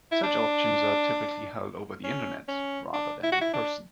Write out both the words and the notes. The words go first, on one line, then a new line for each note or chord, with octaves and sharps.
Such auctions are typically held over the Internet, rather than in person.
E4
D4
C#4
C#4
D4
E4
F#4
E4
D4